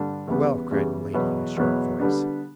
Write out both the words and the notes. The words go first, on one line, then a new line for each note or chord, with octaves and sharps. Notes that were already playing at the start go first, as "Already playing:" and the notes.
"Well," cried Milady, in a sharp voice.
Already playing: G2 D3 G3 D4
E2 C#3 G3 B3
E2 C#3 G3 B3
E2 B2 F#3 B3
E2 B2 F#3 B3
D3 G3 B3 D4